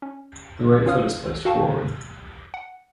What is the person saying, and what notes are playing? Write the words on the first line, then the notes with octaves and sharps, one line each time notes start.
The right foot is placed forward.
C#4
C#4 F4 C#5 F5 D#6 F6
F#4 A4 F5 G5 A5 C#6
F#5